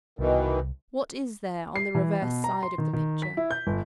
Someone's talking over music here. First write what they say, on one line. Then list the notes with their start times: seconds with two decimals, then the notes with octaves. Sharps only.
What is there on the reverse side of the picture?
0.19 C2 B2 D#3 E3
1.76 C7
1.95 E3
2.22 B2
2.44 A#5
2.63 C6
2.78 D#3
2.93 D#3
3.22 B6
3.37 E4
3.51 G6
3.67 G1